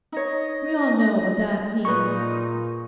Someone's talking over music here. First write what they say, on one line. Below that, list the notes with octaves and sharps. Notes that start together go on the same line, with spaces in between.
We all know what that MEANS.'
D#4 C#5 D#5
A#2 D#4 G#4 B4 D5 C#6